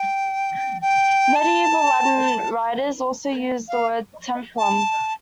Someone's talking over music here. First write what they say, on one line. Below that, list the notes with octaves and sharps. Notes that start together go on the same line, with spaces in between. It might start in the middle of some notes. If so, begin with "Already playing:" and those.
Medieval Latin writers also used the word "templum".
Already playing: G5
G5
A5
F5
A5